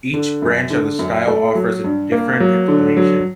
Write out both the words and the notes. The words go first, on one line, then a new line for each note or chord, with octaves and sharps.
Each branch of the style offers a different explanation.
D3
F#2
D3
F#2
A3
F#3
G2
A#3
F#3
D3
F#3